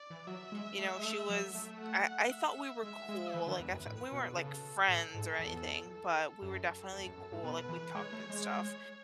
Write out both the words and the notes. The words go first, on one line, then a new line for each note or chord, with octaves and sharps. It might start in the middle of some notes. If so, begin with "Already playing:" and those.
you know, she was I I thought we were cool, like I th we weren't like friends or anything, but we were definitely cool, like we talked and stuff,
Already playing: D5
E3
F#3 E5
G#3
A3
G#3
A3
F#3
A3
F#5
E5
G#3 E5
G#3
E3 B4
D3
E2
F#2
A2
B2
C#3 A4
A2 A4
G#2
E2
A4
F#2
E2 A4
F#2
F#2
G#2
B2 B4
E3
G#3 C#5
A3
G#3